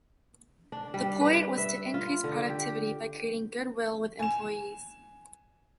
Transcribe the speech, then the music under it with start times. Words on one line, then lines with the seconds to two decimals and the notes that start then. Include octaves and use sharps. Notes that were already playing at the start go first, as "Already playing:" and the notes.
The point was to increase productivity by creating good will with employees.
0.72 D4
0.94 G3
1.21 B4
1.58 E5
1.94 F4
2.24 D3
2.50 G4
4.19 G#5 E7